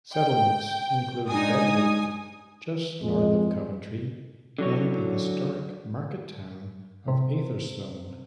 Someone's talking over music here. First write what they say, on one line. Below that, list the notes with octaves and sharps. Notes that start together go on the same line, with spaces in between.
Settlements include Bedworth, just north of Coventry, and the historic market town of Atherstone.
G5
G#3 D4 D#4 G#5 D#6
F2 G#3
D3 F#3 C#5
C3